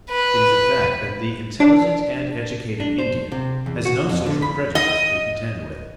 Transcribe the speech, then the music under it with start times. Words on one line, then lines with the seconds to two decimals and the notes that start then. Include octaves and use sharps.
It is a fact that the intelligent and educated Indian has no social prejudice to contend with.
0.10 B4
1.60 D4
2.80 D4
2.98 C5
3.32 C3
3.66 E2
3.85 F#4
4.09 F2
4.26 D3
4.42 B5
4.75 D#5